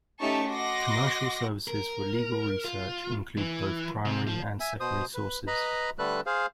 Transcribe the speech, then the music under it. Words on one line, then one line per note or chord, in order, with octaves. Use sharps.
Commercial services for legal research include both primary and secondary sources.
A3 C#4 D#4 G4 A5 C#6
F#4 D#5 F#5 C6 D6 A#6
A#4
F4
E3
C3
F3
E5 G#5
B2 C5 D#6
B4
B4 D#5 A#5 B5
D3 G3 A3 A4 B4 F#6
G#4 C5 F5